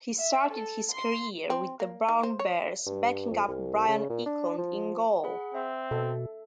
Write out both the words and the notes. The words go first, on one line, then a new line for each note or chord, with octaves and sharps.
He started his career with the Brown Bears backing up Brian Eklund in goal.
E5
A4
C6
C4
A#3
D#3
C5
C#5
G2
F2
C2
C#3
A#2
D4
F3
G#4 F#5 B5
C4 E5
B2 A4